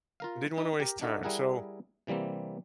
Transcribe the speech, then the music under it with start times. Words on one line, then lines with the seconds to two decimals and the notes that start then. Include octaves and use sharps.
Didn't want to waste time. So
0.20 F4 A#4 F5
0.58 D#4
0.80 G4 A#4
1.01 D4 D#4 F#4 A4 E5
1.23 G3 E4 G#4 A#4 F#5
2.07 C3 E3 G3 A#3 C4